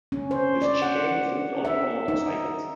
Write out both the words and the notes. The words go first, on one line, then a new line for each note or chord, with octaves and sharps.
This chicane is used only for motorcycles.
C#4
C5
D5
F#5
E5
D#4